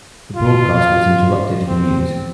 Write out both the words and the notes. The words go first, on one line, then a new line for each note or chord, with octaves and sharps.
The broadcast was interrupted for news.
F4
C4